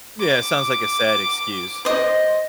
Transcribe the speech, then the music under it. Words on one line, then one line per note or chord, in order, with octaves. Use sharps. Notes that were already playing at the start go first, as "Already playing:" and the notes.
Yeah, it sounds like a sad excuse.
D6
C5 D#5